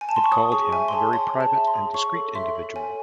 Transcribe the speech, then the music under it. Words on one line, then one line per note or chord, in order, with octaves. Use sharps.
It called him a very private and discreet individual.
G#5
A5
C6
C#6
C#5 D#6
G#4 C#6
E5 G#5
C6
G#4 A5
C#5 C6
G#4
A5
E5
C6
G#4
C#5 C#6
A4
E5 C6
A4
C#5 G#5